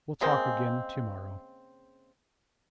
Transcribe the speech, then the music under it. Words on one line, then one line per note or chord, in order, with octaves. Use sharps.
"We'll talk again to-morrow."
C#3 G#3 A#3 C4